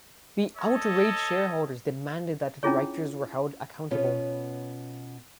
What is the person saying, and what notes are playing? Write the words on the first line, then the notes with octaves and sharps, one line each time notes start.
The outraged shareholders demanded that the directors were held accountable.
A4 C#5 D#5
C#4 D4 E4 F4 G#4 C#5
B2 B3 C#4 F4 C#5